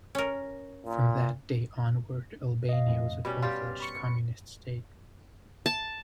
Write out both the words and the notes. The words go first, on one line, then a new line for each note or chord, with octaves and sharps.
From that day onward, Albania was a full-fledged Communist state.
C#4 A#4
A#2
D#5 F5
F2 A2 C3
B2 G3 C#4 B5
G3 G4 F5 C6 F6 A6
B5 C#6 C#7
A5